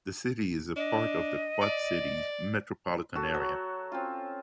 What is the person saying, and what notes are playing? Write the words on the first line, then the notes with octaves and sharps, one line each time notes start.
The city is a part of the Quad Cities Metropolitan Area.
D4 D#5
D5
F#4 A4
F#3
C4 C#4 F4